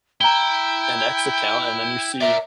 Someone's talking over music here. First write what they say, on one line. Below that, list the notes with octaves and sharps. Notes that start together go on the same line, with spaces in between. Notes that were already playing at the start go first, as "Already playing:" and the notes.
an X account, and then you see
E4 G5 A#5 G7
A#4 D5 E5